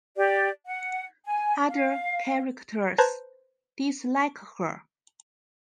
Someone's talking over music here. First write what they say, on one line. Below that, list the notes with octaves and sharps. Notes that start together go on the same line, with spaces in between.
Other characters dislike her.
G4 D5
F#5
G#5
F5
B4 C5 A5 A#5 F#6 G#6